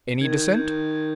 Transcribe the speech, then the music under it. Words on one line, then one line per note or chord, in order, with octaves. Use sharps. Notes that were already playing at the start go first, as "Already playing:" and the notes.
Any dissent?
D#3 G#6
G6
D#3 G6
G#6